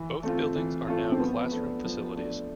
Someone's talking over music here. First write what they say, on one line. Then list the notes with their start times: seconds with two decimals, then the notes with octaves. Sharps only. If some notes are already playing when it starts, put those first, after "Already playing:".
Both buildings are now classroom facilities.
Already playing: E3
0.23 A3 C4 F4
0.55 E3
0.87 A3 C4 F4
1.12 C4
1.19 F3 B3
1.51 A3 D4
1.84 F3
2.15 A3 D4